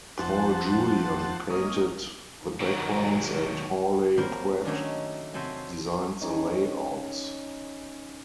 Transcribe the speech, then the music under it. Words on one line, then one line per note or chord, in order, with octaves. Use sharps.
Paul Julian painted the backgrounds and Hawley Pratt designed the layouts.
F2 C5 F#5 A5
A#3 C#4 D#5
D#3 F#3
F#3 G3 A#3 C4 A#4 C5
D#3 F#3 A3 A#3 C#4 D4
C3 F#3 C4 A4 G#5
D#3 C#4